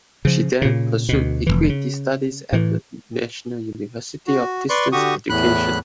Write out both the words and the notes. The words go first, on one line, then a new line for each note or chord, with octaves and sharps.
She then pursued equity studies at the National University of Distance Education.
C#3 F3
A#2 C#3
D2 B2
F1 C2 E3
C#3
A2 E3
F#4
B4 D5 C6 C#6
D3 F#4 G4 C#6 D#6
E2 A2 B5 F#6